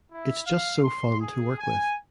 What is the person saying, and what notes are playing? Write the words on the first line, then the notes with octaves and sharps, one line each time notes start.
It’s just so fun to work with.
E4
F5
C6
G#4
G#5